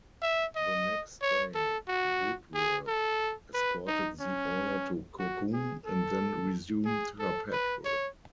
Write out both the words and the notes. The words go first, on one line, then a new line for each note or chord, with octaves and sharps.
The next day, "Woodworth" escorted the oiler to Kukum and then resumed her patrol.
E5
D#5
C#5
A4
F#4
G#4
A4
B4
D#4
C#4
F#4
G#4
A4
G#4
A4
B4
C#5